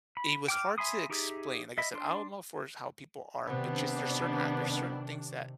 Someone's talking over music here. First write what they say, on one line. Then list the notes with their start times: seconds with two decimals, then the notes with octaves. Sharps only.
it was hard to explain. Like I said, I don't know for s how people are, but just there's certain a there's certain things that
0.17 B5
0.48 G5 D6 F6
0.78 E5 G#5 B5 C6 D#6
1.10 D#4 G4 G#4 E5
1.78 D#5 E5 B5
1.94 D4 C6
3.48 C3 D#3 B3 C4 D4